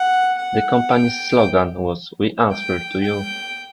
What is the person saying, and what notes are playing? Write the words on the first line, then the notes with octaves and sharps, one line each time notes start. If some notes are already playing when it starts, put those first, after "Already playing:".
The company's slogan was We answer to you.
Already playing: F#5
F#5
G5
G5
G5